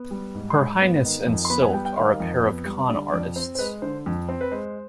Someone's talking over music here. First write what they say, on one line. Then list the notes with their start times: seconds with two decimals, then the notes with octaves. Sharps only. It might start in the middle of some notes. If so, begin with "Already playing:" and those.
Her Highness and Silk are a pair of con artists.
Already playing: B3
0.11 G3
0.35 G#2
0.50 C6
0.58 G#2 B5
0.81 B3
1.04 D#3
1.27 F2
1.45 C6
1.50 B3 B5
1.62 G#5
1.73 G3 G5
1.85 G5
1.96 D#3 F5
2.20 F2
2.43 B3
2.66 G3
2.89 D3 D5
3.13 F2 D5
3.36 C4 C5
3.55 C5
3.59 G#3 B4
3.82 D3 C5
4.06 F2
4.29 C4 C5
4.41 B4
4.52 G#3 C5